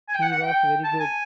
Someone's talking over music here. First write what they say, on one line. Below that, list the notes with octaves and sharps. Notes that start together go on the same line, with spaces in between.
She was very good.
G#5
G5
F#5
F#5
G5
A5
G#5